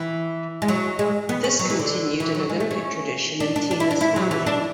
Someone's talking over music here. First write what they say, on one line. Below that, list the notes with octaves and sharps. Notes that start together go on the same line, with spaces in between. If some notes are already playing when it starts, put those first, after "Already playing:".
This continued an Olympic tradition in Tina's family.
Already playing: E3
G#3
F#3
G#3
B3
C#4
F#3
E3
D3
E3
F#3
G#3
A3
C#4
D4
D4
D4
E4
D4
E4
F#3
E3
D4